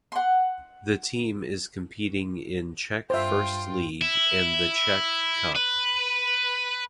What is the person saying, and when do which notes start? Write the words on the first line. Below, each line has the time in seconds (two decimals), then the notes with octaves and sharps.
The team is competing in Czech First League and the Czech Cup.
0.12 F#5 C6
3.10 G2 F4 C5 E5 G5
4.01 E4
5.56 B4